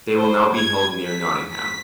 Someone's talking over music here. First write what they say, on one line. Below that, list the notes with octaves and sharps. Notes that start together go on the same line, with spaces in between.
They will now be held near Nottingham.
C5
G#6
B6
B6